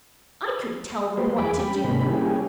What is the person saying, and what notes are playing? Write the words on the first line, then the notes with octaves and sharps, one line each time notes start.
"I could tell them what to do."
F#3 A#3 G4 B4 C5
E2 G#4 B5 D6
G3 G4 B5
G#2 C3 D#3 A#3 B5
G3 A#3 C#4 E4 G4 G#4